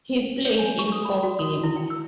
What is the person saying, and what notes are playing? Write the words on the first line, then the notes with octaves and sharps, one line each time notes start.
He played in four games.
C#5
G#5
C#6
D#6
B5
F#4
D#6
E4
G5
E6